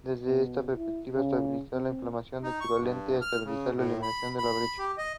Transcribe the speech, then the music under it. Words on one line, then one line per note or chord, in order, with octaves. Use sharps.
Marine and General Insurance Brokers was the first insurance brokering firm in Ghana.
B2
E4
C#3
C4
D#4
C#6
G2
F6
C#3
A2
B5
B5
G4
D#5